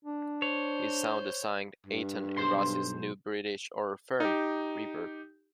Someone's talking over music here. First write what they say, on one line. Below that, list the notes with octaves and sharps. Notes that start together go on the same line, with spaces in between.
He sound-designed Aitan Errusi's new British horror film "Reverb".
D4
C5 C#5
G2
B1 C5 C6
D#4 G4